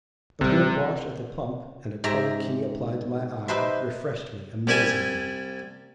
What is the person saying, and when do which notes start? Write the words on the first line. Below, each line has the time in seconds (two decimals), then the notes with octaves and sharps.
A good wash at the pump, and a cold key applied to my eye, refreshed me amazingly.
0.41 A1 C3 G3
2.04 G#2 G4 E5 A#5
3.48 D#4 G4 B4 C5 E5
4.67 C2 G3 E4 G4 E5 G#5